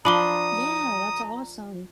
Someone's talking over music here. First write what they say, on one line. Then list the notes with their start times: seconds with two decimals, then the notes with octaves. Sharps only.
Yeah, that's awesome.
0.05 F3 D4 A#5 B5 D6 D#6 G7